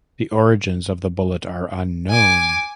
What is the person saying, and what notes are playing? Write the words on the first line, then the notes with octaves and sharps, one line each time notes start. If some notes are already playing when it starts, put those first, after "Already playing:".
The origins of the bullet are unknown.
G#5 D6